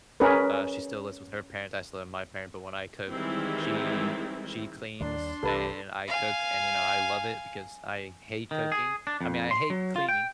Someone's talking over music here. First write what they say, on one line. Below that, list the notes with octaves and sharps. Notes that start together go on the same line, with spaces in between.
Uh, she still lives with her parents, I still live with my parent, but when I cook, she she cleans and I cook and, you know, I love it because I hate cooking I mean, I hate cleaning,
C#4 G#4 A#4 B4
D#3 E3 G3 G#3 C4 E4
D#2 D#3 G3 D4 D5 C6
C2 E3 G3 G4 A4 B4
F5 G#5
D#3
G#4
D4
F2
C6
F#3
F4
G5